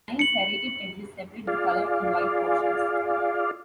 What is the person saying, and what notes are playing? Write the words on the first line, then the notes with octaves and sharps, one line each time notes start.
Nine serrated edges separate the colored and white portions.
C#7 F#7
F4 G#4 D5 F5